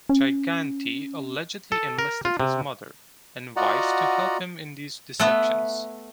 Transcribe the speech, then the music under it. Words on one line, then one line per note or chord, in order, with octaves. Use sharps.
Gigante allegedly enlisted his mother, and wife to help him in these deceptions.
C#4
A4
A#4
F4
C3
F4 F#4 D5 D#5 F#5 A#5
A3 B3